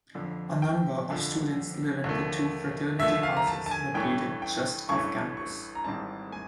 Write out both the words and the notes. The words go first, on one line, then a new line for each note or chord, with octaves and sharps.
A number of students live in the two fraternity houses located just off-campus.
F2 D3 F3
G5
F2 D3 F3
D#2 D3 F3 A3
D#2 D3 F3 A3 E5
F5
A#5
A5
A5
G#5
A1 G2 E3 A3 C#4 G5
G5
A1 G2 E3 A3 C#4 C#6
C#6
A#5
G#1 G#2 E3 G3 C4 A5
G#5